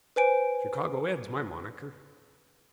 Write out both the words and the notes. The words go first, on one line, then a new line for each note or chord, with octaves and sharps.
"Chicago Ed.'s my monaker."
B4 C5 G#5 D7